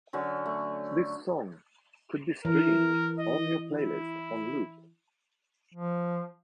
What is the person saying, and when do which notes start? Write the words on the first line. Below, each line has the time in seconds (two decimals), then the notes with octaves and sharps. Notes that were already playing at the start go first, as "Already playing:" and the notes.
This song could be streamed on your playlist on loop.
0.13 D3 F#3 C#4
0.46 A3
2.45 E3 A#4
3.19 D#5
3.70 E4
5.73 F3